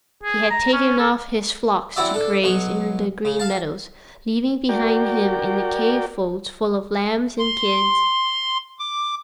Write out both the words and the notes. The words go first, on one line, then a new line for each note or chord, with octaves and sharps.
He had taken off his flocks to graze in the green meadows, leaving behind him in the cave folds full of lambs and kids.
G#4
A#5
C#4
A4
F#3 C4 E4 F#4 D5 E5
D4 A4
B1 F#3 C#6
C#3
F5 A5
F#4 A#4 D5 G5
C6
D6